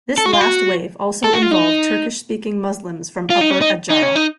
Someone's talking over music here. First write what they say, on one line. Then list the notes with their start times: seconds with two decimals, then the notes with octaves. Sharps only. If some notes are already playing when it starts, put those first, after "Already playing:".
This last wave also involved Turkish-speaking Muslims from Upper Adjara.
0.18 A4
0.26 F#4
0.33 F4
0.41 F#4
1.24 A4
1.33 F#4
1.43 F4
1.52 D#4
3.30 F4
3.41 D#4
3.51 C#4
3.62 D#4
3.90 D#4
4.03 C#4
4.16 D#4